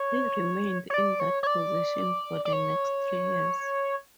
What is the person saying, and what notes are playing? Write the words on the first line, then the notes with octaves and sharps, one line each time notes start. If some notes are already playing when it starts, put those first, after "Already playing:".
He remained in that position for the next three years.
Already playing: C#5
C#5
D5
C#5
C#5
D5
D5
C#5